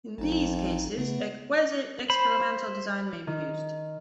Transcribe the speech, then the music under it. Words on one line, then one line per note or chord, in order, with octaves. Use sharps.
In these cases, a quasi-experimental design may be used.
A1 F2 D#4
C#3 A3 B3
C5 B5
D#3